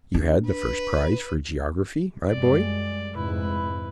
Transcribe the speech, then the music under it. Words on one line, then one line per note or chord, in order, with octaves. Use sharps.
"You had the first prize for geography, my boy?"
D4
B4
F#2 G3 G#3 D5
F1 G#2 E4 B4